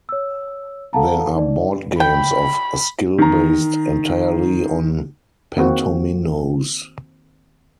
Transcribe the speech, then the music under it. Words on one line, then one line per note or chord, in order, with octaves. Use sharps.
There are board games of skill based entirely on pentominoes.
C#5 E6
A4 F5 F#5 A5 A#5
D#4 D5
G5 B5
D#3 A#5
D#3 A#3 C4 F#4